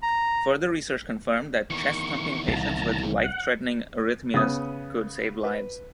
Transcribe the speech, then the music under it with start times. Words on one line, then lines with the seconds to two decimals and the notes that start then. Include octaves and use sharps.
Further research confirmed that chest thumping patients with life-threatening arrhythmias could save lives.
0.03 A#5
1.70 E2 D#3 C#6
2.48 C2 A#2 A5 A#5
3.23 F#5
4.34 C#3 B3 D#6
5.44 B4